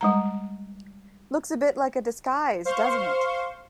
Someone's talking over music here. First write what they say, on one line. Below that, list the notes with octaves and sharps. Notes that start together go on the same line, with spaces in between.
Looks a bit like a disguise, doesn't it?
G3 G#3 A#5
C5 F5 C6 C#6